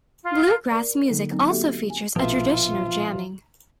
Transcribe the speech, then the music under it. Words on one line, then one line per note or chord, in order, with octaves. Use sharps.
Bluegrass music also features a tradition of jamming.
F4
A#4 D5
D3 F#3 A#3 D#4 A4
F#3 B3 C4 D#4
A#3 F#4 G4 A4 E5
G#5
A#1 B2 F3 F4 A4 E5